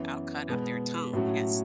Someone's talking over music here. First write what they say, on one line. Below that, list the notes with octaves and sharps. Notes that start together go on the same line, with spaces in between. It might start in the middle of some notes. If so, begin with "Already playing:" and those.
"I'll cut out their tongue." Yes.
Already playing: F#2 E3 B3 E4
B2 G#3 B3
A2 F#3 A3 C#4 F#4